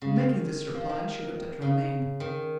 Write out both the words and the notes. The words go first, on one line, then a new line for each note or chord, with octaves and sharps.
In making this reply, she looked at Romayne.
C#3
D#3
F3
D#3
C#3
D#3